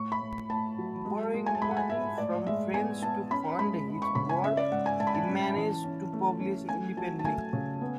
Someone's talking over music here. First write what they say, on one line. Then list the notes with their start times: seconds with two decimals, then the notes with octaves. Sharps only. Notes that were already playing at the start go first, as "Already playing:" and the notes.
Borrowing money from friends to fund his work he managed to publish independently.
Already playing: A2 C#6
0.12 B5
0.21 A2
0.49 A2 A5
0.78 F#3
1.05 G#3
1.34 G#3
1.46 G#5
1.55 A5
1.62 G#3 B5
1.71 F#5
1.77 G#5
1.90 G#2 E5
2.18 A2 D5
2.46 G#3 E5
2.74 B3 G#5
3.02 B3 A5
3.31 C#4 B5
3.59 G#3 B5
3.88 G#3
4.02 C#6
4.15 C#3 B5
4.29 G#5
4.43 C#4 E5
4.57 D5
4.71 G#2 F#5
4.86 G#5
5.00 G#2 A5
5.07 B5
5.15 A5
5.29 C#4
5.56 E3
5.84 C#4
6.13 A3
6.40 C#4
6.68 A3 G#5
6.97 F#3 A5
7.19 A5
7.25 A3 G#5
7.53 C#3
7.81 B3